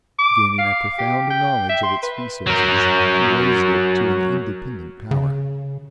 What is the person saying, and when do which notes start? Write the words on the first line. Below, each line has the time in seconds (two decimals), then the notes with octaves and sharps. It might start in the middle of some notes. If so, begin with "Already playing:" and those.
Gaining a profound knowledge of its resources he raised it to an independent power.
0.19 D6
0.58 F5
0.98 G4
1.30 G5
1.69 E5
1.83 C6
2.03 B4
2.47 F#3 A#4
5.11 C#3